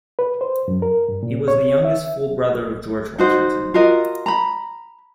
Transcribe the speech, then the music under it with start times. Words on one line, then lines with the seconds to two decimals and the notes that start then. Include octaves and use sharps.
He was the youngest full brother of George Washington.
0.19 B4
0.41 C5
0.68 F#2
0.82 A#4
1.09 G2
1.23 A#2
1.48 C#5
1.85 E5
3.18 D#4 F#4 C5
3.74 F4 F#4 A#4 D#5
4.26 A#5 B5